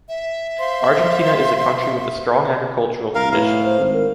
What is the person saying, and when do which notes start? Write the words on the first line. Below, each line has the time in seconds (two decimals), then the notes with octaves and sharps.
Argentina is a country with a strong agricultural tradition.
0.09 E5
0.59 C5 F5 C6
3.15 C2 A#4 F5
3.32 A2 B4 F5
3.64 C5
3.79 G#1
3.93 A#4